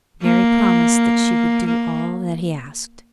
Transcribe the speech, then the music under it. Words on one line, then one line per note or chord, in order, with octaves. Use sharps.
Mary promised that she would do all that he asked.
A#3
A#3